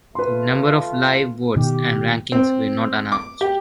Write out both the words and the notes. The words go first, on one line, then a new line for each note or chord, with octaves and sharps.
The number of live votes and rankings were not announced.
A3 F4 B4 C6
B2 D#3 G4
C4
D6
G4